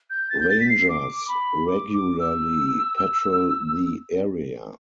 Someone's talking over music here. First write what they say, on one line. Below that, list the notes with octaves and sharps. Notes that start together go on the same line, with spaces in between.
Rangers regularly patrol the area.
G6
A6
G6
A6
B6
C7
D6
B5
D6
D6
E6